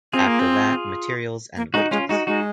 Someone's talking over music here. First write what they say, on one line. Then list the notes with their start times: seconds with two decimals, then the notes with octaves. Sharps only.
After that, materials and wages.
0.13 C4 F4 G#4
0.27 A#3
0.39 C4
1.57 A#3
1.74 G#3 D#4 F#4
1.91 G#3 C#4 F4
2.09 G#3 D#4 F#4
2.27 G#3 D#4 F#4